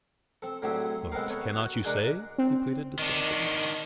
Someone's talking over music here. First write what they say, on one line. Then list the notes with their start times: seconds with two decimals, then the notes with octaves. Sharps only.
"But cannot you say?" he pleaded, distractedly.
0.42 C4 A4
0.62 A2 D3 F#3 C4 G4 G#4
1.12 G#3 B3 C4 A4 A#4 F5
1.30 B3 A4 C#5
1.53 F#4
1.85 G#3 D4 G#4 A#4 D5 F#5
2.38 C4
2.99 D#3 D4